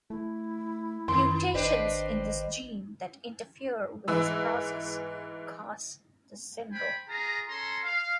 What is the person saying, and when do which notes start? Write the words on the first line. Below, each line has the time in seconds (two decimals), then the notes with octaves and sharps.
Mutations in this gene that interfere with this process cause this syndrome.
0.10 A3 E4
1.08 F#2 D#3 C6
1.54 G#1 C4 D4 B4 D#5
4.08 G#2 E3 E6
6.71 C5 G5 G#5 B5
7.08 F4 G#4 A#5
7.48 C#4 A4 A#5 C6
7.84 F5